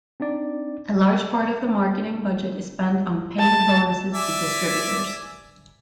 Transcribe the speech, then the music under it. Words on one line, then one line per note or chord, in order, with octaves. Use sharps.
A large part of the marketing budget is spent on paying bonuses to distributors.
C4 D4 D#4 D5
A5
D5 E5 G#5